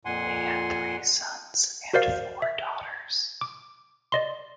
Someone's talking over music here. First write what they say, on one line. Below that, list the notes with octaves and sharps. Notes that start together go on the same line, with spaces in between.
They had three sons and four daughters.
F2 A#2 F#5 G#5 C6
F#4 A#4 C5 D5 F5
E5
D6
D5 D#5 C6